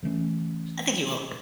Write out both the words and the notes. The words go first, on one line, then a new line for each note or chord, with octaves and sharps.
I think you will.
C#3 E3 A3 C#4